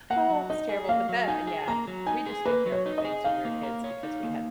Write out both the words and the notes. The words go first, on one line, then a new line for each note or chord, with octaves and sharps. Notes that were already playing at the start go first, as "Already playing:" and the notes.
Oh, that's terrible, but that yeah, we just do terrible things when we're kids because we had
A#3 F#5
F#3
D#4 D#5
G#4
A#3 F5
F#3
D#4 G#5
G#4
A#3 A#5
F#3
D#4 G#5
G#4
A#3 B4
F#3
C#5
D#4
D#5
G#4
D#4 F5
A#3
A#4
C#5
D#4
A#3